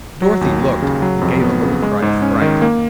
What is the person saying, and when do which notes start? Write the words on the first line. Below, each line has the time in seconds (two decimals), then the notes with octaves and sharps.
Dorothy looked, and gave a little cry of fright.
0.22 F#3
0.41 D#2
0.61 D#2
0.82 C#3
1.02 F#3
1.21 F2
1.41 B3
1.62 C#3
1.82 G#3
2.02 G#2
2.22 C#4
2.42 D#3
2.62 A#3